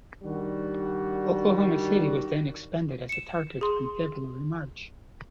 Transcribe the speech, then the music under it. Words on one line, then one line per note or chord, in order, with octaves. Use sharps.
"Oklahoma City" was then expended as a target during February-March.
D#3 G3 D4 F#4
C#7 E7
G#4 C6